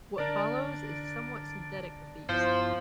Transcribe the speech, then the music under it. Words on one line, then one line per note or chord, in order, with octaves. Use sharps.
What follows is somewhat synthetic of these.
D3 D4 A#4 D5
G2 F3 B3 E4 C5